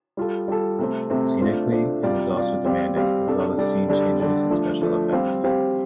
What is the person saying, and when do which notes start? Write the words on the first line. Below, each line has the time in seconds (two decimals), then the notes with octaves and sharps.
Scenically, it is also demanding, with all the scene changes and special effects.
0.17 G3 F4 A4
0.48 G3 F4 A4
0.79 C3 A3 C4
1.10 C3 A3 C4
1.41 A3 D4 F4 C5
1.72 A3 D4 F4 C5
2.03 C3 G3 F4 D5 F5
2.34 C3 G3 F4 D5 F5
2.65 G3 C4 G4 D5 F5
2.96 G3 C4 G4 D5 F5
3.27 C3 G3 D4 A4 D5
3.58 C3 G3 D4 A4 D5
3.88 D3 G3 D4 A4 D5
4.20 D3 G3 D4 A4 D5
4.51 F3 A3 D4
4.81 F3 A3 D4
5.12 G3 C4 G4 C5 F5
5.43 G3 C4 G4 C5 F5